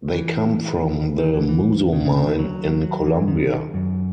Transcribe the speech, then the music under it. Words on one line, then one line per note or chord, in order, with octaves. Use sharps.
They come from the Muzo Mine in Colombia.
E3
D#3
E3
E3
C#3
C#3
C#3
D#3
F#3
F#3
E3
D#3
F#2